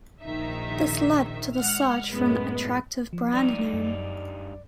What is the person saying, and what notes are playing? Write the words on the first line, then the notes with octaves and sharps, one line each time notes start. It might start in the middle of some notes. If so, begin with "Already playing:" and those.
This led to the search for an attractive brand name.
A#1 D#3 D#4 E5
G#3 F#5 F6
F#2 A2 G#3 B3
F3
G2 D#4 D5
F#2